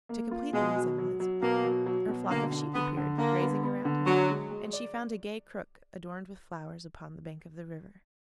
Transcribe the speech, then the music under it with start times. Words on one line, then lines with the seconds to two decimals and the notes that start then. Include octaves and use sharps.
To complete the resemblance, her flock of sheep appeared, grazing round her, and she found a gay crook adorned with flowers upon the bank of the river.
0.09 A#3
0.31 F4
0.53 B2 G#3
0.76 F#3
0.98 F#3
1.20 F#3
1.42 B2 A#3
1.64 F#3
1.86 F#3
2.08 B2
2.30 D3 A#3
2.52 D3
2.74 D3 B3
2.97 D3
3.18 D3 A#3
3.40 B3
3.63 B3
3.85 D3
4.06 F#3 D4
4.30 G#3
4.51 G#3
4.73 D5